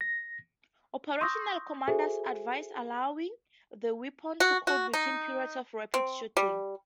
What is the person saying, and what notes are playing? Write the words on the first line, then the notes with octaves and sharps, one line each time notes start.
Operational commanders advised allowing the weapon to cool between periods of rapid shooting.
A#6
C6 C#6 D#6 E6 G6 A#6
F#4 G#4 A4 C5 E5 G#5
F#4
F#4
D#4
C4
G3